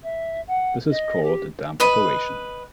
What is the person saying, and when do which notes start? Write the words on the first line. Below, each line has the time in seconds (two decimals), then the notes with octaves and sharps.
This is called a dump operation.
0.02 E5
0.47 F#5
0.90 D#5
1.22 G4
1.80 B4 D#5 B5